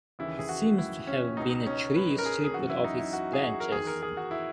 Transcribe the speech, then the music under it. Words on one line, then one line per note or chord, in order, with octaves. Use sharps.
It seems to have been a tree stripped of its branches.
D#2 C#3 E3 E4
G#4
F#4
E4
C#4
C#2 B2 D#4
C#4
B4
A#4
G#4
G#4
F#2 E3 F#4
E4
D#4
E4
F#4
G#4
F#4
A#4
E2 D#3 G#4
A#4
G#4
F#4
E4